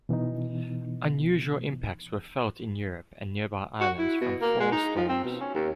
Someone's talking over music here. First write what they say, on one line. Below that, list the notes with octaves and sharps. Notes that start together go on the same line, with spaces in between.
Unusual impacts were felt in Europe and nearby islands from four storms.
B2 E3 B3 D#4
F#4
E4
B2
A#3
G#3
D#4
F3
C4
B2
C#4
D#2